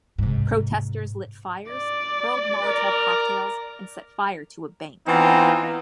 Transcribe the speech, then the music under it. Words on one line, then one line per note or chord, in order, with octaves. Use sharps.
Protesters lit fires, hurled Molotov cocktails, and set fire to a bank.
G#2 C3
D5
A#4
E3 B3 C4 D#4 F4